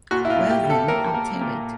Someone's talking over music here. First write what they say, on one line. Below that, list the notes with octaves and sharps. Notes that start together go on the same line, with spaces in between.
Well then, I’ll tell it.
A#2 F#4
E4
F4
A#2
G4
G3
A4
A#3 A#4
A#3
A#2